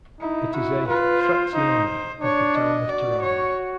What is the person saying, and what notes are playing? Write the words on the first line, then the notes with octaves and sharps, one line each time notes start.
It is a "frazione" of the town of Teramo.
D#4 E4
E4 F#4
F4 B4
C5
D#4
D4 C#5
D#5
F#4 D5
C#5